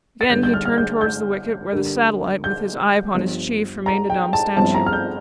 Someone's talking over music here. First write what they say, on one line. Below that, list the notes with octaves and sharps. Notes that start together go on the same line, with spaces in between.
Again he turned towards the wicket, where the satellite, with his eye upon his chief, remained a dumb statue.
A6
G1 G2 D3 G6
G6
F6
F6
G6
G6
G2 D3 G3 A#3 D4
G6
G1 G2 F3
A#5
G5
A5
G1 G2 F3 C4 E4 A5
A#5
F6
G6